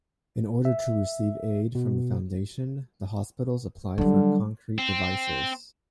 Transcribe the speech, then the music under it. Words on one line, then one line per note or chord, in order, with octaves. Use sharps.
In order to receive aid from the foundation, the hospitals apply for concrete devices.
E5
B2
D3 F#3 G3
C4